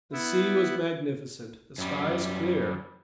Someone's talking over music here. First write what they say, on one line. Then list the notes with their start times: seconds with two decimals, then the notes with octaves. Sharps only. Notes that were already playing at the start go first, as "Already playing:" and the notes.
The sea was magnificent, the skies clear.
0.12 B3 E4
1.78 F#2 G3